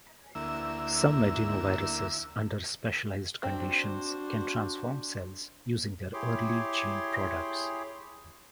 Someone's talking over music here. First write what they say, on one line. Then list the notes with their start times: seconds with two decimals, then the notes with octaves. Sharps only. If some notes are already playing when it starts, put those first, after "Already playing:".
Some adenoviruses under specialized conditions can transform cells using their early gene products.
0.35 D2 A#3 E4 E6
3.43 C4 D4 F#4 C5
6.14 E4 G4 G#4 C#5 C6 D6